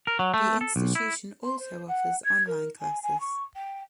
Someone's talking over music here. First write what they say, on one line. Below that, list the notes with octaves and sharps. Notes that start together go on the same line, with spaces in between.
The institution also offers online classes.
A#4
F#3
A3
A4
B1
E4
C6
C5
F#5
G#6
A#4
G#5
G#5
C#6
G5